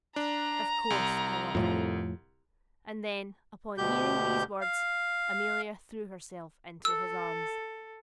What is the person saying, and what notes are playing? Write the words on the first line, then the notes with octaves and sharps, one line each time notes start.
"Of course I love you." And then, upon hearing these words, Amelia threw herself into his arms.
D4 A#5
C2
F2 A2 F3
D2 B2 G4 G6
F5
A4 E6